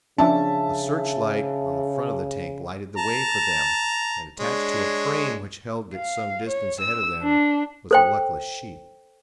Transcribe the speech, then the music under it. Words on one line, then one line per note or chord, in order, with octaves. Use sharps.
A search-light on the front of the tank lighted the way for them and, attached to a frame which held it some distance ahead of them, was a luckless sheep.
C#3 F3 C#4 D4 E5 A5
A5 A#5
G#3 D4 C#5
F5
C#5
E6
D4
A4 C5 G5